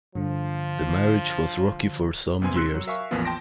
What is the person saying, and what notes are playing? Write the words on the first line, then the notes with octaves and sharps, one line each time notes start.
The marriage was rocky for some years.
G2 D3 F3
C2 B3 C4 G#5 C6
C6 E6 F#6 C7 C#7
F#3
A#4 E5 F5 G#5 C#6
A1 E2 F3 A#3 B3 F4
G5 A5 C6 A#6 D7